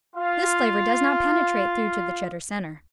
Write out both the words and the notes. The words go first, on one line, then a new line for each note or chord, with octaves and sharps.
This flavor does not penetrate through to the Cheddar center.
F4 F5